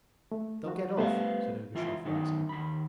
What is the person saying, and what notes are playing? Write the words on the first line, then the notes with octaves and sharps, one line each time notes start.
They'll get off,' said Ergushov, rising.
A3
F3 F#4
G3 A3 B3 B4 C5 F5
C#2 E3 F4 E5
F#2 D#3 D#4
D#2 B5